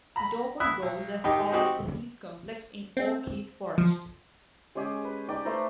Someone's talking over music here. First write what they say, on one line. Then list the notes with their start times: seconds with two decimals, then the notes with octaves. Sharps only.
It often grows as part of the heath complex in an oak-heath forest.
0.16 A#5 B5
0.60 E4 E5 D#6 F#6
0.82 B1
1.24 A2 D#3 D#4 G4
1.52 C4 D#4 F#4 G4 D#5
2.97 C4
3.78 F3
4.75 G#3 C#4 G4 G#4
5.04 B4
5.29 D#4 D5 G5
5.45 A3 B4 C5 A#5